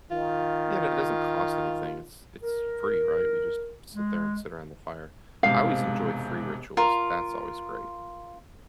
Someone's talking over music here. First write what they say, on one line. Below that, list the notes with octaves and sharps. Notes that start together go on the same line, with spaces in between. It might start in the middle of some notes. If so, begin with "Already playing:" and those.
You know, it doesn't cost anything- it's it's free, right? We just sit there and sit around the fire. I always enjoy free rituals, that's always great,
D#3 F4
A#4
G#3
E1 G#2 C3 F5
F4 A#4